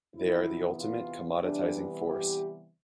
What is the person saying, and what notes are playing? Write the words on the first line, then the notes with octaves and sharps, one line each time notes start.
They are the ultimate commoditizing force.
E2 C3 E3 B3 E4
F4
C3 E3 G3 B3 D4
G4